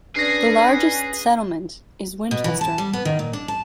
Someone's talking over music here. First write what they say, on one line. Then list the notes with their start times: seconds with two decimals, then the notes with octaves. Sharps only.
The largest settlement is Winchester.
0.16 C#4 D4 G#4 B4 A#6 C7
2.31 B2
2.44 E3
2.61 A5
2.78 G3
2.93 B3
3.05 D#3
3.19 A#2
3.33 D4
3.48 A5